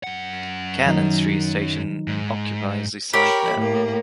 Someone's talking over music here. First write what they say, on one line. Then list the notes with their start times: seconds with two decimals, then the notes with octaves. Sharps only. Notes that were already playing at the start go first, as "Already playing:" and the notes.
Cannon Street station occupies the site now.
0.04 F#2 F#5
0.86 D#3 F#3 D#4
2.07 G#2
3.13 G4 A#4 C#5 B5
3.55 A2 A#3